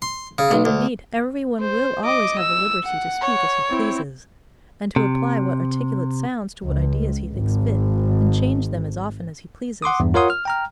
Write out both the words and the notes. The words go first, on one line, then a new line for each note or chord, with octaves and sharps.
And indeed every one will always have a liberty to speak as he pleases, and to apply what articulate sounds to what ideas he thinks fit, and change them as often as he pleases.
C6
C#3
B1
D2
C5
D#5 D6
E6
F#5
C#5
C4 E4
C3
C#2
G#1
F#5 C6 D6 D#6
E2 G2
F4 A#4 C#5 F#5 C6 D#6
F6
G5 A#5 F6